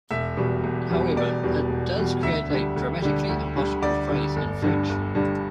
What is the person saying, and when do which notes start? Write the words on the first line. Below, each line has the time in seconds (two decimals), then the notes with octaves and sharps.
However, it does create a grammatically impossible phrase in French.
0.11 E1 E5
0.37 E2 B2 G3
0.64 E1
0.90 E2 B2 G3
1.16 E1 D5
1.43 E2 B2 G3
1.70 E1
1.96 E2 B2 G3
2.23 D2 E5
2.50 D3 G3
2.76 D2
3.02 D3 G3
3.29 D2
3.56 D3 G3
3.82 D2 D5
4.09 D3 G3
4.36 G1
4.62 G2 D3 G3
4.89 G1
5.15 G2 D3 G3